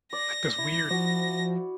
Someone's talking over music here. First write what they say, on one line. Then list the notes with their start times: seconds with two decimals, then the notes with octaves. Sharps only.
like this weird
0.13 D5 A#6
0.58 E4
0.91 F3 F#4